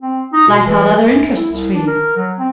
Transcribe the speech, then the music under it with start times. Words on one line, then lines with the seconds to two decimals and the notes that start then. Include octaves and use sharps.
Life held other interests for you.
0.02 C4
0.33 D#4
0.47 B2
0.67 E3
1.10 F#2
1.35 E4
1.52 C2
1.74 D4
1.87 A#4
2.16 F#3
2.39 C4